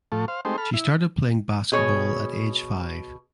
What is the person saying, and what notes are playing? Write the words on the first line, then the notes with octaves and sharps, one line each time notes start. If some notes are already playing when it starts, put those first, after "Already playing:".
She started playing basketball at age five.
A2 F3 A3
C5 F5
G#3 A3 C4 D#4 G4 C5
A4 B5 F6
E4
B2 G#4 C#5